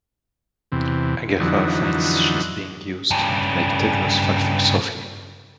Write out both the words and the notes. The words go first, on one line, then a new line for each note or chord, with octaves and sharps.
Agatha finds she is being used to make Tedros fall for Sophie.
E2 C3
F2 D3 E3 F#3 D#4
G2 C#3